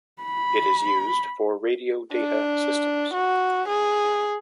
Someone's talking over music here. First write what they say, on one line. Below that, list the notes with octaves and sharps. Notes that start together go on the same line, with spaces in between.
It is used for radio data systems.
B5
D4
F#4
G#4